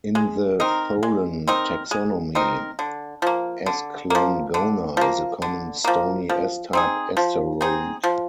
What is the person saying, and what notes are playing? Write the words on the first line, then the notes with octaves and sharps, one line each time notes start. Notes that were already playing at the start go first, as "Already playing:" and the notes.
In the Tholen taxonomy, "Esclangona" is a common stony S-type asteroid.
G#3
C4 D#4 A#4
G#3
C4 D#4 A#4
G#3
C4 D#4 A#4
D3
F3 A#3
D3
F3 A#3
D3
F3 A#3
D3
F3 A#3
F3
C4 D#4 G#4
F3
C4 D#4 G#4
F3